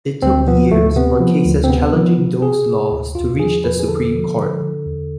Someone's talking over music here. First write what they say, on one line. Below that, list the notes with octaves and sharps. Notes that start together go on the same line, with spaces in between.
It took years for cases challenging those laws to reach the Supreme Court.
D2 C4
F3 B3
D2 A3
C3 B3
F3
D2
C4
C3 B3
F3
C3
C3 G#4
C3
D2
E2 F4
F3 G#4
E2 B4
G#4
D3 A4
F3
D3
D3
E2